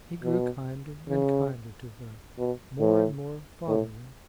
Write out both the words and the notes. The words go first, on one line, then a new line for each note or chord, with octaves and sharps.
He grew kinder and kinder to her, more and more fatherly.
B2
C#3
B2
A2
A2